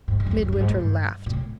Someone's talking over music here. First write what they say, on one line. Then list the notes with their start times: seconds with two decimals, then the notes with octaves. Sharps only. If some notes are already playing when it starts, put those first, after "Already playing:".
Midwinter laughed.
0.08 G#2
0.20 G2
0.26 E2
0.31 F2
0.43 F#2
0.52 G2
0.60 G#2
0.70 A2
0.78 G2
1.26 A#2
1.33 A2